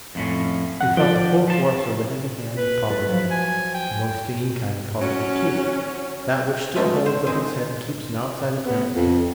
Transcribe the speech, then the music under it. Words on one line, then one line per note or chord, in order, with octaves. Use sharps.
We felt the full force of the heavy hand of poverty--the most stinging kind of poverty too, that which still holds up its head and keeps an outside appearance.
F2 A2 C#4
F2 F#5
F3 D5 G5
F3 A5
B4
E4 A4 B4
F3 F#3
G#5
G5
F#3 C#4
G#3 A3 B3 C#4 D#4 A4
C5
D#3 G#3 C4 D#4 C5 G#5
B3
F2